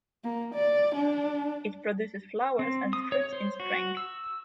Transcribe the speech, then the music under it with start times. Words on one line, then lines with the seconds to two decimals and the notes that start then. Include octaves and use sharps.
It produces flowers and fruits in spring.
0.24 A#3
0.55 D5
0.95 D4
2.59 C4
2.93 D#6
3.12 C#5
3.33 C5
3.60 F#4
3.97 E6